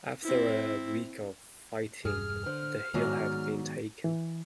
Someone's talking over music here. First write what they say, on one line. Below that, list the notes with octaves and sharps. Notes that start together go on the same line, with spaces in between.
After a week of fighting, the hill had been taken.
C4 E4
E1 G2 G#4 F6
D3 C5
G#2 D#3 F#3 G#3 B3 D5
E3